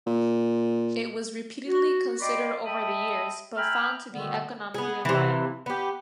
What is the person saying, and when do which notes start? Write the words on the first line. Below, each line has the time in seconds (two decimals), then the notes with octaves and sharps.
It was repeatedly considered over the years but found to be economically unviable.
0.07 A#2
1.67 F#4
2.21 D5 D#5 G5 B5 C6 D6
2.65 D#5 E5 G5 A5 B5 D#6
3.56 E5 G5 G#5 A#5 B5 F6
4.11 B2 D3 D#3 G3 A3 B3
4.74 B3 G#4
5.05 C3 E3
5.66 B3 G4